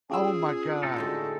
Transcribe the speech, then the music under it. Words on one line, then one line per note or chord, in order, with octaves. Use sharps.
Oh my god.
C#4 F4 G#4 E6
A2 D#4 A4
D3 G#3 C4 F#4